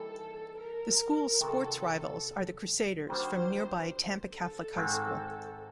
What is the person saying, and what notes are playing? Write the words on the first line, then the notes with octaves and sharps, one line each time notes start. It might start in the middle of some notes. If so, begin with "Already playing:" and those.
The school's sports rivals are the Crusaders from nearby Tampa Catholic High School.
Already playing: E3 G3 A#3 D#4 A4
A#4
C3 D#3 F#3 B3 A4
D#3 G3 A#3 D4 F#4 C5
A4
G#2 D#3 G#3 C4